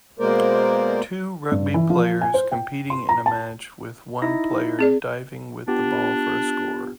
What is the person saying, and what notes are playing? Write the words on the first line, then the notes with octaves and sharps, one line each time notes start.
Two rugby players competing in a match with one player diving with the ball for a score.
B2 G#3 A#3 A#4 C5 D5
G2
E3
F3
G#5
C5
G5
C6
A#5
A5
D#4 E4 A#6
C4 G#4 D5
B3 D4 F4 G4